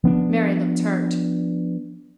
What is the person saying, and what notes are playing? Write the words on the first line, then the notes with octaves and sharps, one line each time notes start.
Mary looked hurt.
F3 B3 D4